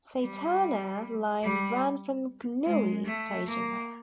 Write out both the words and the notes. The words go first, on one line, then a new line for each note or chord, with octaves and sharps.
Setana Line ran from Kunnui Station.
G3
G3
G#3
A3
A#3